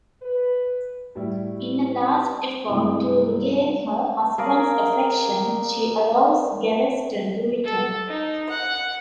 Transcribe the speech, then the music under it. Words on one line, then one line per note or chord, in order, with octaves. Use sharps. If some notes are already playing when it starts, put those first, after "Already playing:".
In a last effort to regain her husband's affection, she allows Gaveston to return.
B4
A2 G3 E4
G2 C3 G#3 A3 E4
G#4 A#4 D5 F5
A4
D#4
F#5